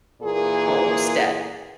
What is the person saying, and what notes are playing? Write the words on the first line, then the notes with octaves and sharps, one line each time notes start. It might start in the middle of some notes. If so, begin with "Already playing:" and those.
almost dead
A#2 E3 A#3 G#4